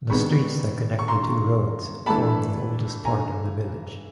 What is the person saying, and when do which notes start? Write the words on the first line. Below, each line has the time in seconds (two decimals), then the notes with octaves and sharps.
The streets that connect the two roads form the oldest part of the village.
0.09 C3 D#3 G#3 B3 D4 B5 C#6
0.99 C#6
1.08 A#5 C6
2.06 E3 A3 D4 A5 B5
3.05 G#5 A#5